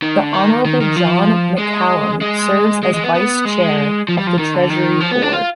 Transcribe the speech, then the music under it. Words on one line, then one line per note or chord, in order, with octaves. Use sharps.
The Honourable John McCallum serves as Vice Chair of the Treasury Board.
D#3
D3
D#3
D#3
D#3
F3
G#3
G#3
G#3
G#3
B3
B3
G#3
F3
G3
F3
D#3
D3
D#3
F3
B3
D4
F4